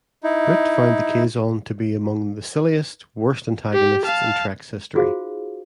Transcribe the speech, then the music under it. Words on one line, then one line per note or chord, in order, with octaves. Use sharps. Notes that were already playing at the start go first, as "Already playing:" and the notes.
Britt found the Kazon to be among "the silliest, worst antagonists in Trek's history".
D#4 E4
G4
F5 A5
D#4 F4 F#4 G#4 C5 F5